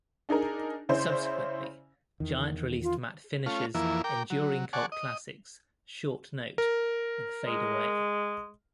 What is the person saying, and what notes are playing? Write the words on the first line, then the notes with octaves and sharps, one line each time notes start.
Subsequently, Giant released Matt Finish's enduring cult classics "Short Note" and "Fade Away".
D4 D#4 G#4 A#4
C#3 C#4 E4 C5 D5
E2 D#3
F4
A3 C#4 F4
F2 E3 A#3 E4
A#4 G5 D6
F#3
D5 F#5 G#5 A5 C#6
D#5
A#4
G#3